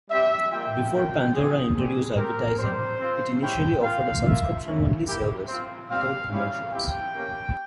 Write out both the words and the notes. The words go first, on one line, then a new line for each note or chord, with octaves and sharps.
Before Pandora introduced advertising it initially offered a subscription-only service without commercials.
G3 C4 G4 E5
G3 A#3 F4 G5
A#3 F4 G5
G#3 C4 F4 G#4
G3 C4 G4 G#4
C4 G4 A#4
G3 C4 G4 C5
C4 F4
G#3 C#4 E4 G4 G5
A#3 F4 F5
A#3 F4 E5
A#3 C#4 E4
A#3 E4 G4
C4 F4
G3 C4 G4 F5
G3 C#4 E4 G4 F5
C4 E4 G4 G5
A#3 C#4 G4